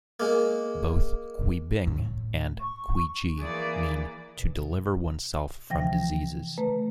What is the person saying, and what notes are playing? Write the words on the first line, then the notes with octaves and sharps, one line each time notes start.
Both "Qubing" and "Qiji" mean to deliver oneself from diseases.
G#3 A#3
A2
C#6
E3 A#3 G#4 D5
B2
C3 E3 F3 G5 A#6
C#3 A3 B4 A#5